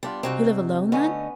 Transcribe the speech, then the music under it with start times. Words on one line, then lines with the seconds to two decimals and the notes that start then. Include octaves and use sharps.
"You live alone, then?"
0.03 G3 B3 D4 F4
0.23 D2 C3 C4 D#4 F#4
0.92 D3 A3 B3 C#4 D#5